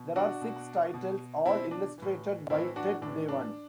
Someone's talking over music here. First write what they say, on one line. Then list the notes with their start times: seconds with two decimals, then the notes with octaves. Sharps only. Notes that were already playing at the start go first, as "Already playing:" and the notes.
There are six titles, all illustrated by Ted Dewan.
Already playing: B2
0.16 D4 F#4
0.41 B2
0.94 B2
1.45 B2 C4 E4
1.71 D4
1.98 A2 E3
2.50 A2 E3 C4 E4
2.76 D4 F#4
3.02 A2 E3 D4
3.28 D4